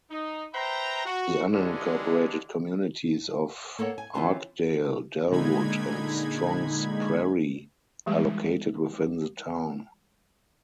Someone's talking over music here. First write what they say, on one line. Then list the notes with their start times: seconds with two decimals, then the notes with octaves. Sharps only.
The unincorporated communities of Arkdale, Dellwood, and Strongs Prairie are located within the town.
0.11 D#4
0.54 B4 C5 E5 G5 A#5
1.06 F#4
1.52 D3 E3 G3 G#3 C#4 D4
3.79 A#3 A4 A#4 C#5 F#5
3.98 G#5
4.14 E3 F3 C4 C#4 F4 F#4
5.30 A#2 D3 G#3 D#4 B5 G#6
8.06 E3 G3 G#3 G4